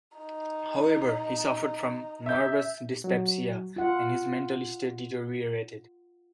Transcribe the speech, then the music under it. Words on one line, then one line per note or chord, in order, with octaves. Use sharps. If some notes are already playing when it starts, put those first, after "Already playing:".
However, he suffered from "nervous dyspepsia" and his mental state deteriorated.
D#4
E5 G6
F#3
F4 F#5